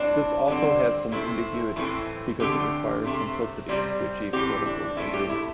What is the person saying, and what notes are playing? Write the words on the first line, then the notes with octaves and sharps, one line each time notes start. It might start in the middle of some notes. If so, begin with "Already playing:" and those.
This also has some ambiguity, because it requires simplicity to achieve political agreement.
Already playing: A2 G3 C4 D4
D3 G3 C4
C3 A3 C4 E4
A2 E3 A3 C4
D3 A3 C4 G4
C3 A3 C4
C3 G3 C4
A2 E3 C4 G4
D4
A2 A3 C4 E4
G4
E4